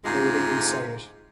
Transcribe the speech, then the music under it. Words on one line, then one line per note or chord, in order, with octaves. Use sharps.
They would even say it.
D2 G#2 C3 G#3 F4